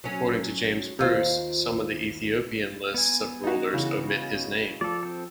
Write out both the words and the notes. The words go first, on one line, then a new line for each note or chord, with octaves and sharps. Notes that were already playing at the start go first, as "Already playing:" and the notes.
According to James Bruce, some of the Ethiopian lists of rulers omit his name.
F#3 C#4
D#2 F4 C5
B3 G#5
D#4 F#4
C#3 E3
F3 A4 D5
C4 A4